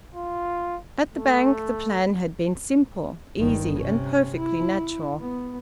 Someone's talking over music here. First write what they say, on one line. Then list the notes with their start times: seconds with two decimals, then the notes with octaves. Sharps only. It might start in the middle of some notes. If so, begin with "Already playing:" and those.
At the Bank the plan had been simple, easy, and perfectly natural.
0.15 F4
1.14 A3
3.38 G1 D#3
3.79 C3 C#4
4.37 E4
5.21 B3